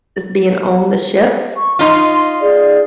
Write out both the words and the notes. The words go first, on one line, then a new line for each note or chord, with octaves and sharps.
is being on the ship
C#6
D#4 F4 C6
G#4 D5